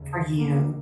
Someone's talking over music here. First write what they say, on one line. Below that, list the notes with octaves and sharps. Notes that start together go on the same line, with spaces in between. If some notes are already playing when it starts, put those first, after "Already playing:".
for you.
Already playing: D#2 C#3
A#3